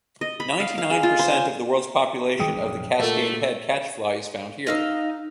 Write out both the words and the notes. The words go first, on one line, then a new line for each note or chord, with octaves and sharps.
Ninety-nine percent of the world's population of the Cascade Head catchfly is found here.
D#5
B5
F5
F5
G#4
F4
C5
G#5
D#3 G3 G#3 G#4 G5 D#6
A#1 F#2 C3
A#2 A3 F4 A#4 F5
D#4 D#5 F5 E6